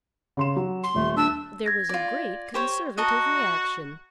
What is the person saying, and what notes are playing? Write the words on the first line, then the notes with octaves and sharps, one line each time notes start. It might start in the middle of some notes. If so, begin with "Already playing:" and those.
There was a great Conservative reaction.
C#3 C6 E7
F#3
C6
D#1 A3
D4 E6
G#6 A#6
F4 D5
G4 C5 C#5
F#4 D#5 A5 A#5